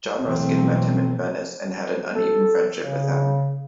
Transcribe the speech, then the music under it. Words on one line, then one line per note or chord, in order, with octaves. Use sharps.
John Ruskin met him in Venice and had an uneven friendship with him.
B2 E3 F#3 A3 A#3 C4
A4
C#3